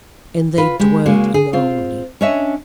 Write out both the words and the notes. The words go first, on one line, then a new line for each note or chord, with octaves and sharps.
And they dwelt in harmony.
F4 B4
G#3 G4
C#3 G#3 A#3 F#4
G#4
C4 F4
C#4 D4 C#5 D#5 E5